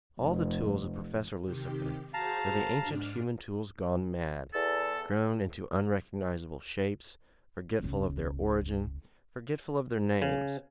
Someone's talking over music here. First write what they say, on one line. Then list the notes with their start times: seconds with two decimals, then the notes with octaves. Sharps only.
All the tools of Professor Lucifer were the ancient human tools gone mad, grown into unrecognizable shapes, forgetful of their origin, forgetful of their names.
0.20 F1
1.45 C3 D#3 G4
2.14 F#4 G#4 C5 F5 A5 A#5
2.81 G#2 D4 F6
4.54 E2 A4
7.80 E1 C#2
10.22 C#3